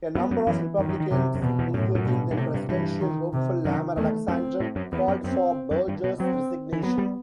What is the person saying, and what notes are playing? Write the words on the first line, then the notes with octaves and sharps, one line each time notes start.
A number of Republicans, including then presidential hopeful Lamar Alexander, called for Berger's resignation.
F#2 B3
F#2
F#2 E3
F#2 D#3
F#2
D#3
F#2 C3
F#2
E2 B2
E2
F#2 A2
F#2
G2 B2
G2
A2 C3
G2
G2 E3
D#3
C3
F#2 D#3
E2 A3
F#2 C4
A2
F#2
E2 B3
F#2
F#2 C4
F#2
G2
B2
F#3 C4
E3
F#3 B3
G3